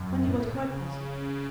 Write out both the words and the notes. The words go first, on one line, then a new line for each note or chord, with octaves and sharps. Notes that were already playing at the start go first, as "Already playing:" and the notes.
Wendy was quite puzzled.
Already playing: F#2
A2
A2
C3
C#3